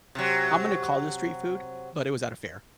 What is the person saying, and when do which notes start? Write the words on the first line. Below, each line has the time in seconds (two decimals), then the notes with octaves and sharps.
I'm gonna call this street food, but it was at a fair.
0.15 C3 F#3